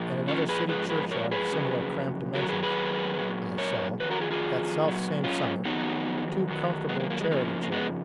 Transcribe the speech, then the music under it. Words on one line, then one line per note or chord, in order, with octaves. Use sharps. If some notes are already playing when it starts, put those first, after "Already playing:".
In another City churchyard of similar cramped dimensions, I saw, that selfsame summer, two comfortable charity children.
Already playing: A#2 F3
C#4 F4
G#4 B4
G#2 F3 G#4 B4
G#4 B4
A#4 C#5
G#4 B4
F2 C#3 F#3
F#2 D#3 F#3 F#4 A#4
G#4 B4
G#4 B4
A#2 F#3
A#4 C#5
F2 D#3 F#3 B4
F#4 A#4
F4 G#4
F4 G#4
A#2 F#3
C#4 F4
F2 D#3 F#3 B3 D#4
F#2 D#3 F#3
G#3 B3
A#3
A#3
G#3
F2 C#3 F3 A#3
A#3
G#3 B3